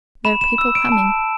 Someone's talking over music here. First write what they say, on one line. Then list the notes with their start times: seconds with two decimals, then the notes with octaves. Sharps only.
There are people coming....
0.25 B5 E7
0.41 E7
0.58 E6
0.75 D7
0.92 A5